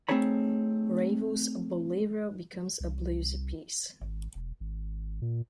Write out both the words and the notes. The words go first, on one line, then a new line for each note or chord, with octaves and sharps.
Ravel's "Bolero" becomes a bluesy piece.
A3 C4 D#4 G#4 C#5 B5
C2
G#1
E1
G#1
A#2